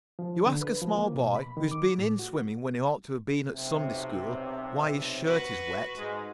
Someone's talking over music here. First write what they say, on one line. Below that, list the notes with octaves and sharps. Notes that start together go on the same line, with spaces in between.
You ask a small boy, who has been in swimming when he ought to have been at Sunday-school, why his shirt is wet.
F3
D3
B4
F3
A#3
B2
B5
D#3
D6
A2
F#4
B1 C3
F#4 B4
G#2 G#3